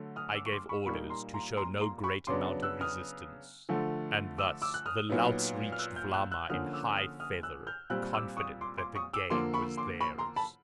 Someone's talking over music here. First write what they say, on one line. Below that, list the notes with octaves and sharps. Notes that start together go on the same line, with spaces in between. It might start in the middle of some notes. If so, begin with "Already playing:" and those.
I gave orders to show no great amount of resistance; and thus, the louts reached Vlama in high feather, confident that the game was theirs.
Already playing: D3 F#3 A3
D#6 F6
D6 E6
C#6
C6 D6
B5 C#6
A#2 G3 A#3 D#4 B5 C#6
A#5 C6
A#5 C6
A#5 C6
A#5 C6
B5 C#6
C#3 F#3 B3 D4 C6 D6
E6 F#6
D#6 F6
D3 F3 A3
D6 E6
D6 E6
F#6
D#6 F6
A#2 F#3 B3 D#4
F6
E6 F#6
F6 G6
E6 F#6
E6 F#6
D3 F3 A#3 C#4 D#6 F6
D6 E6
D#6 F6
D#6 F6
E6 F#6
F6 G6
A#2 G3 C4 E6 F#6
D6 E6
C#6 D#6
C6 D6
C6 D6
C#6 D#6
D6 E6
D3 F3 A#3 C6 D6
B5 C#6
C6 D6
B5 C#6
A#5 C6
A5 B5